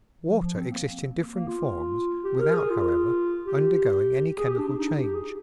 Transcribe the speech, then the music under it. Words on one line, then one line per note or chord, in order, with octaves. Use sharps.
Water exists in different forms without, however, undergoing any chemical change.
F3
F3
C4
A#3
A#3
F4
G4
A#4
G#4
F4
G4
G#4
G4
D4
D4
D#4
D#4
G4
G#4